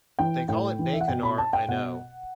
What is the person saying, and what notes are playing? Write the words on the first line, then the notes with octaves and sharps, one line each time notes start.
They call it Baykonur, I know.
E3 G5
A2 G5
E3
E5
F#5
B2 G5
B5
A5
G5
B2 F#5